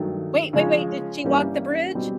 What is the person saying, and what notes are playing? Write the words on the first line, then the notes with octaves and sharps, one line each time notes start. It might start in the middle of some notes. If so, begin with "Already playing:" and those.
Wait, wait, wait, did she walk the bridge?
Already playing: G2 D#3 F#3 A3
C#3 F3 G#3 C#4
G2 E3 G3 A#3 C#4
B2 G3 C4